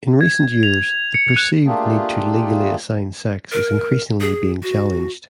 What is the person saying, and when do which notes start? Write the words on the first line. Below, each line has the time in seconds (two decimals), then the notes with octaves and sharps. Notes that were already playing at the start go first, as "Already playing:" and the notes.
In recent years, the perceived need to legally assign sex is increasingly being challenged.
0.21 G#6
0.63 F7
1.14 C#7
1.36 F#6
1.66 A3 A#3 D4 F4 G4 G#4
3.52 A#4
4.21 G#4
4.63 F#4